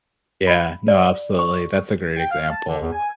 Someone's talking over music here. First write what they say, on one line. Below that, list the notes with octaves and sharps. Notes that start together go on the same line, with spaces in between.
Yeah, no, absolutely, that's a great example.
B5
D5
C#6
G5
F5
A5
D3
E2
G#5